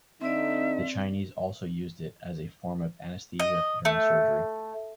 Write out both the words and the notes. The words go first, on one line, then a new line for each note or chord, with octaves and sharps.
The Chinese also used it as a form of anesthesia during surgery.
D3 C4 D#4 D5 E5
D#5
A3